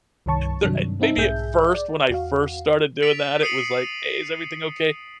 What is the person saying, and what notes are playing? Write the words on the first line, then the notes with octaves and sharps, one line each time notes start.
they're, eh, maybe at first when I first started doing that it was like, "Hey, is everything okay?"
C2 G2 D#3 C#5 A5 C#6
G2 C3 D#3 F#3 D4
G3 C4 D#4 E5 A5
B1 G#2 G#4 E5 G6
D5
E2 F#4 F5
A6 B6 D7 F7
D#6 C7 C#7 D#7 F7 F#7